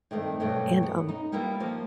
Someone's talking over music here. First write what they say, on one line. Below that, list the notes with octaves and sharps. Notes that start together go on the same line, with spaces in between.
And, um,
G2 D#3 A3 C4
G2 B2 F#3 A3
B3
D#4
G3 A#3 B3 E4 F4
F3 A#3